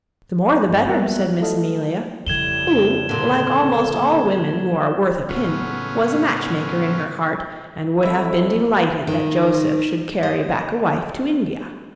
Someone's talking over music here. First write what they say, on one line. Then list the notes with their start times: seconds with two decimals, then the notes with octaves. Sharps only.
"The more the better," said Miss Amelia; who, like almost all women who are worth a pin, was a match-maker in her heart, and would have been delighted that Joseph should carry back a wife to India.
0.69 G2
0.89 G3 A#3 B3 A#4 E5 F#6
1.40 F#3 A3 E4 A4 D#5 F5
2.27 F2 A2 C#3 G3 G#6 E7 G7
3.09 A#2 D3 A#3 A4
5.29 A2 C#3 F#3 B3 C#4 F4
8.03 F2 E4 E5
9.07 D#3
10.23 D#5